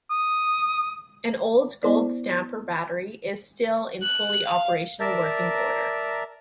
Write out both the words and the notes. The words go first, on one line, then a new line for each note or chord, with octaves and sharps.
An old gold stamper battery is still in fully operational working order.
D#6
B3 E4 C5 D5
F#6
F5
A#4 D5 E5 A5 A#5